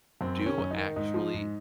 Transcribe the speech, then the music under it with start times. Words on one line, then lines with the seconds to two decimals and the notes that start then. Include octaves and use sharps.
do actually
0.21 F#2 C4
0.40 D#3
0.46 C#4
0.58 F#2
0.71 D#4
0.78 D#3
0.96 G#2 D#4
1.14 F3
1.34 G#2